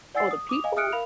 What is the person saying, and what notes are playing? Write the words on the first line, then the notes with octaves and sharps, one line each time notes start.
Oh, the people?
D5 F#5 G#5 E6 A6 C7
D#6
D6 D#6 F7
D#5 F5 G#5
E5 D#6 F6 F#6 C#7 D7
A#4 F5 B5 F7